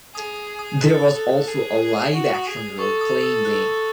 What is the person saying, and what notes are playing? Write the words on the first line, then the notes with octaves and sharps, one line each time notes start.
There was also a live action role-playing game.
G#4 D#6
D#6
A4 F#6
A4
G#4
F#4
D#6
G#4
D#6
A4 C#6
D#6
E6
F#6